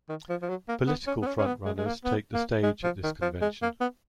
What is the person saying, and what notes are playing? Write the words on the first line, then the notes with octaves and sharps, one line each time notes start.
Political front runners take the stage at this convention.
D#3
F3
F3
F#3
A#3
B3
C#4
B3
C#4
C#4
B3
G#3
G#3
A#3
B3
A#3
G#3
F3
D#3
F3
G#3
A#3
B3